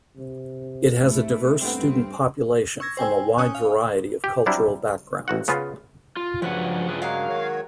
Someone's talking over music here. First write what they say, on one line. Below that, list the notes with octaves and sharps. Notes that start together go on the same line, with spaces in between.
It has a diverse student population from a wide variety of cultural backgrounds.
C3
A3 E4
G2 G3 A3 B3 C4
C#6 E6 G#6 A#6
C5 G5 G#5 E6
C#4 C#5 G#5 C#6 D#6 F#6
F5
G4
F#3 G3 C4 D4 E4
A1 F#4 F#5
C#3 B3 C#4 F4
F4
G2 C#3 F3 F#3 D4 B4 F#5
F4 G#4 B4
F#3 G#3 A#3 F5
D#3 F#4 C#5